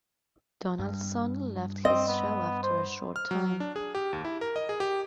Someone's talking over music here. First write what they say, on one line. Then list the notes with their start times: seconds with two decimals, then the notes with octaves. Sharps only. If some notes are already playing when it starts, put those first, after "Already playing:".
Donaldson left his show after a short time.
0.79 G2
1.85 C4 D#5
2.08 B3
2.63 C5
3.16 F6
3.31 F#3
3.60 D4
3.76 G#4
3.95 G4
4.13 D#2
4.25 E4
4.41 A#4
4.56 D#5
4.69 G#4
4.80 G4